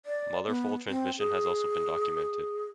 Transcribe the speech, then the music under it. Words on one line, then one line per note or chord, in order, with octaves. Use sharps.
Mother-foal transmission has also been documented.
D5
B3
C4
G#4